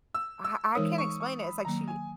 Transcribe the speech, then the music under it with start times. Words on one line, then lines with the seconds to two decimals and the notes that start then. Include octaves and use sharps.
I I can't explain it. It's like she
0.14 E6
0.44 E6
0.75 E3 G#3 D#4 A#4 C#5 D#6
0.98 C#6
1.20 C#6
1.43 B5
1.65 D#3 F#3 A#3 A#5
1.88 G#5